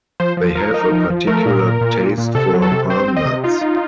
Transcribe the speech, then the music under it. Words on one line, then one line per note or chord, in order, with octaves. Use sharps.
They have a particular taste for palm nuts.
F3 C5
F3
F3 A#4
D#4
F3
F3
A3 A#4
A#2
A#2
A#2
A#2
A#2
C3 A4
F#3
A4
C3
C4 C5
C4
D#5
C3
D#4 F4
D#4